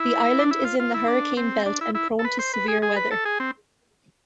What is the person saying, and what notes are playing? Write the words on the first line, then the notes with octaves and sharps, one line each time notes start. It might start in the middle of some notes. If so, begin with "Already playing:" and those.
The island is in the hurricane belt and prone to severe weather.
Already playing: E4
D4
E4
F4
F4
E4
D4
C4
D4
E4
E4
A4
B4
C5
B4
G#4
G#4
B4
A4
G#4
C4